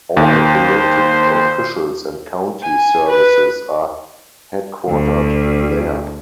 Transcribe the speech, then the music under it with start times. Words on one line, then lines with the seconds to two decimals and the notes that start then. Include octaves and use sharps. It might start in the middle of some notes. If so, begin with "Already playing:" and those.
All elected officials and county services are headquartered there.
0.17 D#2 C5
2.63 G#5
3.08 B4
4.89 D2